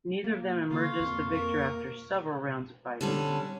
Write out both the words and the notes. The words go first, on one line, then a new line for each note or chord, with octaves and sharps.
Neither of them emerges the victor after several rounds of fighting.
A#3
D3 A#3 F4 C#6
F2
A#4
D3 G3 C#4